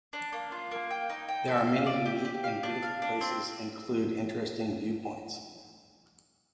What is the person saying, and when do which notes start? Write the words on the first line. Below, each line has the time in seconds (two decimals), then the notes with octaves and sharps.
There are many unique and beautiful places include interesting viewpoints.
0.13 D4
0.32 A#3
0.52 F4
0.71 A#3
0.90 G5
1.10 D#4
1.29 G5
1.48 A4
1.67 F5
1.86 D5
2.06 G4
2.25 G4
2.44 F5
2.63 D4
2.82 F5
3.02 D4
3.21 C4